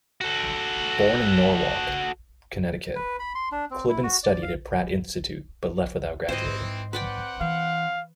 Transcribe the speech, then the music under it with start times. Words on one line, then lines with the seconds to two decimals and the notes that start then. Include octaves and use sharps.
Born in Norwalk, Connecticut, Kliban studied at Pratt Institute but left without graduating.
0.21 F#4 A4
2.96 B4
3.19 B5
3.35 C6
3.52 D4
3.71 C4
3.89 E4
4.03 F#4
4.23 D5
4.42 F5
6.29 G#2 E3 C4 C5 D#5
6.93 C4 B4 D5 F#5 G5
7.41 E3 F5